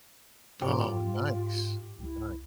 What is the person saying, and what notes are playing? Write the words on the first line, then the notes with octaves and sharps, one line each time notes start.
Oh, nice. Nice.
G#2 F4 G4
C#2 E4